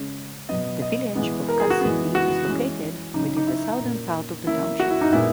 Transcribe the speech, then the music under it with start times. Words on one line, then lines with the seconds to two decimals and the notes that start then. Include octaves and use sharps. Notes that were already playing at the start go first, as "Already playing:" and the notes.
The village of Cass City is located within the southern part of the township.
Already playing: C#3 G#3 C#4
0.49 B2 F#3 B3 D#5
0.82 D#5
1.15 E3 G#3 B3
1.48 A#4
1.60 G#4
1.70 F#4
1.81 E3 G#3 B3
2.15 F#4
2.48 E3 G#3 C#4
3.14 C#3 F#3 C#4 D#4
3.37 D#4
3.47 E4
3.80 A#2 A#3 C#4
4.46 E3 A#3 C#4 E4
4.80 F#4
4.90 E4
5.01 D#4
5.12 A#2 G#3 B3 E4